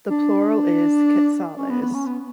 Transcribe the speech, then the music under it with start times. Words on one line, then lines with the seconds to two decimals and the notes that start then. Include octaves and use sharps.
The plural is "quetzales".
0.11 D4
1.57 C#4
1.70 B3
1.82 B3
1.94 C#4
2.06 B3